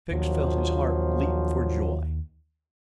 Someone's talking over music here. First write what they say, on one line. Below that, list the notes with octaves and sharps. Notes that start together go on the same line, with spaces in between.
Fix felt his heart leap for joy.
A#1 D#2 F3 F#3